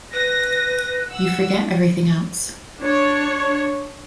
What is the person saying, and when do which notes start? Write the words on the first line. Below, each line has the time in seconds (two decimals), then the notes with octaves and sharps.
You forget everything else.
0.13 B4 A#6
1.10 F#5 E6
2.80 D4 C#5